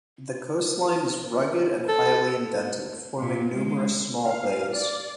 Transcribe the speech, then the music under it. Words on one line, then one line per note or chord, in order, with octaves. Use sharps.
The coastline is rugged and highly indented, forming numerous small bays.
A4
A#2
G#3
F5
D5